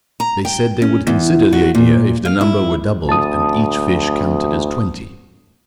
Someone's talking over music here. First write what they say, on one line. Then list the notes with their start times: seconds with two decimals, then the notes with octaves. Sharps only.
They said they would consider the idea if the number were doubled, and each fish counted as twenty.
0.20 A#5
0.45 G5
0.82 C#4
1.07 E2
1.53 F#4
1.75 A#2
2.25 F5
2.41 E4
3.09 D2 A5 D#6